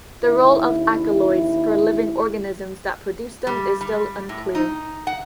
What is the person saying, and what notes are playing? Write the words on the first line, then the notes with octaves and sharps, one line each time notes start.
The role of alkaloids for living organisms that produce them is still unclear.
D#2 C#3 E4
G3
G3
A2
D#4
F#5